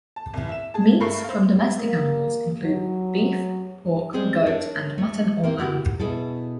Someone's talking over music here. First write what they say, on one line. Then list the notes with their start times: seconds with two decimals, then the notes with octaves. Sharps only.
Meats from domestic animals include beef, pork, goat and mutton or lamb.
0.16 A5
0.34 C2 E3
0.49 E5 E7
0.74 G#4 A5
1.00 G2 A3 A#4 B5 C#6 C7
1.24 C5 F5
1.79 A#3
2.62 F#3
4.13 G3 G#3 C4 G#4 C5
4.46 D4 A4 A#4 C#5
4.98 A3
5.44 A#3 C4 A#4
5.58 A#3 E4 F#4 G4
6.00 B2 E4 G#4 A4